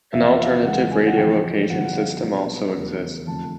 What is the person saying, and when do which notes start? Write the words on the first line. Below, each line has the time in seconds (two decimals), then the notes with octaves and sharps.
An alternative radio location system also exists.
0.13 E2 C3 F3 E5
0.39 F5
0.65 C#2 C#3 E3 F#5
0.91 G#5
1.07 F#5
1.17 F1 F2 C3 E3 G5
1.70 G1 F2 D3 F#3 F#5
1.85 F#5
1.96 F5
2.23 C2 B2 F#3
2.75 F1 E2 C#3 E3
3.27 F1 F2 D3 A5